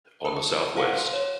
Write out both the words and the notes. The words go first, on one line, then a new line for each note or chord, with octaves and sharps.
On the Southwest.
A#4 A5
C5 F5 F#5
F5 C6
C#5